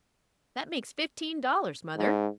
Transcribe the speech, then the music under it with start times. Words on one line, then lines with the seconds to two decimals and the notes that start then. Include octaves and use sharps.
That makes fifteen dollars, mother.
1.97 G#2